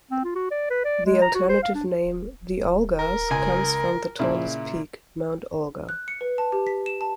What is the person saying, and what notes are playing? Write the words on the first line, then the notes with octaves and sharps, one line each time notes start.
The alternative name, "The Olgas", comes from the tallest peak, Mount Olga.
C4
F4
F#4
D5
B4
D5
G#3
A#5
F#4
C5
F5
D4
A#4
C#2 G#5
A#2 C#3 E4
F#6
C#7
B4
A5
G4
B6
E7
A5